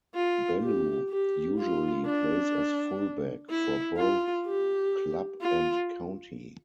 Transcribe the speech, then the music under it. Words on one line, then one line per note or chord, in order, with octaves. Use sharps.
Bellew usually plays as full back for both club and county.
F4
G4
G4
F4
D4
E4
F4
G4
F4